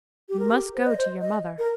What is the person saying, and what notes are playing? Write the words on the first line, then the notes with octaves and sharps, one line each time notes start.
"You must go to your mother."
G4
A#4
G4
C5
D#5
C5
D#5
A#4